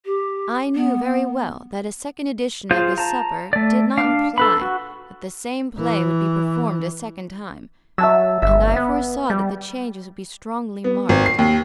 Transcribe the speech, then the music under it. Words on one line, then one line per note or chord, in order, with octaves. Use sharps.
I knew very well that a second edition of the supper did not imply that the same play would be performed a second time, and I foresaw that the changes would be strongly marked.
G4
B3
F4 G#4 C5 F5 G6
A5 A#5
A3 D5
D4 F5
A4 B4 B5
F#4
E3
F#3 E5 A5 E6
G1 E5
B3
G3
B3
G#1
C7
D#2